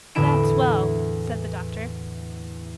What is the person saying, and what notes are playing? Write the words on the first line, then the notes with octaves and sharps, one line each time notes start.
'That's well,' said the doctor.
E2 A2 D3 E4 D7 E7